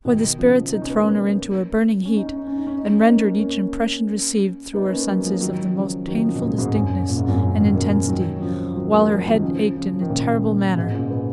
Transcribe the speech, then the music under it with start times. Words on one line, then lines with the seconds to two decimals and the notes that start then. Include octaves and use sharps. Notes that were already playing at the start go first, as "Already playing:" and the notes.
For the spirits had thrown her into a burning heat, and rendered each impression received through her senses of the most painful distinctness and intensity, while her head ached in a terrible manner.
0.05 B2 D#3
0.39 C#3 F3
0.72 D#4
0.82 C#4
0.90 B3
0.99 A#3 C#4
2.06 C#4
2.16 D#4
2.27 C#4
2.37 D#4
2.47 C#4
2.58 D#4
2.67 C#4
2.78 D#4
2.88 C#4
2.98 D#4
3.08 A#3 C#4
3.40 A#3 C#4
4.73 B3 D#4
4.84 B3
4.90 A#3 C#4
5.07 F#3 A#3
5.24 F3 G#3
5.36 F3
5.41 D#3 F#3
5.67 F#3
5.74 C#3 F3
6.08 D#3 F#3
6.24 C#3 F3
6.35 B2
6.42 A#2 C#3
6.58 G#2 B2
6.74 F#2
7.08 A#2
7.18 G#2
7.28 F#2 A#2
7.42 A#2 C#3
7.58 B2 D#3
7.75 F#3 A#3
7.92 F3 G#3
8.08 D#3 F#3
8.36 F#3
8.42 C#3 F3
8.64 F3
8.76 D#3 F#3
8.92 F#3 A#3
9.09 F3 G#3
9.20 F3
9.26 D#3 F#3
9.37 D#3
9.42 C#3 F3
9.76 C#3 F3
9.93 F3
10.01 D#3
10.09 A#2 C#3
10.76 G#2 B2
10.93 A#2 C#3
11.10 G#3 B3